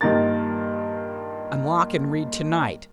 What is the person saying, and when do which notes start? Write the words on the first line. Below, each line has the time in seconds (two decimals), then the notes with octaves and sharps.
"Unlock and read to-night."
0.01 G2 A#2 D#3 A#4 A6